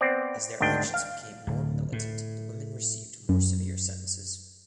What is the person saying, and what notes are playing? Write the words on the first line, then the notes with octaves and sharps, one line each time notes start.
As their actions became more militant the women received more severe sentences.
B3 C4 D5
G#1 D2 D#3 D4 G5
F5
D1
A2
F#2